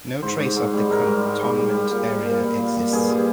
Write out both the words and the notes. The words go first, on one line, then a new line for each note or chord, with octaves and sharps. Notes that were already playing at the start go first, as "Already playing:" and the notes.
No trace of the cantonment area exists.
G#2 C5
G#2
G#2
G3
G#2 A#4
G3
G#2
G3
G3
G3
A#2
G3
A#2
G3
A#2
G3
G2 G#4
G3